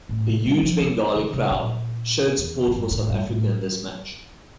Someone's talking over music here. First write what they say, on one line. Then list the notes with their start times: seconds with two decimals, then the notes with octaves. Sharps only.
A huge Bengali crowd showed support for South Africa in this match.
0.09 A2
0.27 C3
0.45 G3
0.63 F3
0.80 C4
1.16 D3
1.33 C3
1.51 A#2
2.38 E2
2.68 A2
2.74 G2
2.91 A2
3.10 G2
3.27 A2